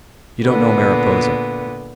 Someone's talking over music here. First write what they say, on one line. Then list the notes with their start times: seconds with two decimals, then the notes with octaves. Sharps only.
You don't know Mariposa.
0.44 A#2 D3 B3